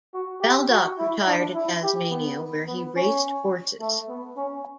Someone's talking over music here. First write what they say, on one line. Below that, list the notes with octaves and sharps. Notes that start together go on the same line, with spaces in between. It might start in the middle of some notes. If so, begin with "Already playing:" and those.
Baldock retired to Tasmania where he raced horses.
F#4
G4
F#4
E4
D4
E4
G4
B3
B3
C#4
A3
B3
C#4